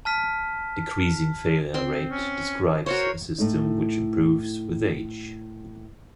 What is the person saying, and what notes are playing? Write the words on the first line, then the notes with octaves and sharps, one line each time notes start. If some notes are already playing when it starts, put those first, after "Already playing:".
Decreasing failure rate describes a system which improves with age.
A5 F6 B6
C4 C6
C#4
F#4 A#4 C5 C#5
A2 A3 D#4